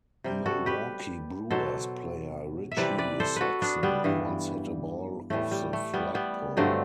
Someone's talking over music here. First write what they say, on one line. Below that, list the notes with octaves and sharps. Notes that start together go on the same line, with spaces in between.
Milwaukee Brewers player Richie Sexson once hit a ball off the flagpole.
C3 G3
F#4 A4
G4 B4
B2 F#3 A4 C5
E5
C3 E3 G3 B4 D5
B4 D5
A4 C5
F#4 A4 B4
B3 D4
G3 B3
G2 E3 G3
A2 E3 G3 A3
G3
A3
G3 B3
G3 B3
G2 D3 F#3 A3 C4